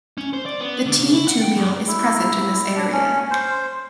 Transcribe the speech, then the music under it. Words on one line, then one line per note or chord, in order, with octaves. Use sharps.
The T-tubule is present in this area.
C#4
C5
D5
B3
D3
C#3
E4
F#5
G5
F#2
E4
D4
C#4
C5